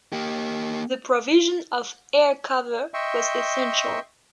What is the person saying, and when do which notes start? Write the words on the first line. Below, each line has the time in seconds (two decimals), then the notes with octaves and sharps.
The provision of air cover was essential.
0.13 A#3 G4
2.94 D#5 E5 G5 C6 C#6